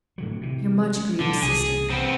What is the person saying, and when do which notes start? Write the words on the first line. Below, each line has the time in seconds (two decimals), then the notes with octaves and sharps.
'Your much grieved sister.'
0.18 A2 D3 F#3
0.41 C3 E3
0.93 G#3 C#4
1.20 B2 D3 F#3
1.42 C2 E3 G#4
1.90 B3 C4